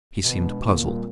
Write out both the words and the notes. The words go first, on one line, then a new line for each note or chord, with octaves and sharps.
He seemed puzzled.
B2 D#3
G#3 B3 D4
A#2 D3
G3 C4